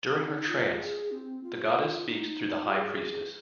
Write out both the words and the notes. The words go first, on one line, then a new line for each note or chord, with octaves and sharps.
During her trance, the Goddess speaks through the High Priestess.
C4
D#4
D#4
F4
G#4
C4
F4
D#4
F4
G#4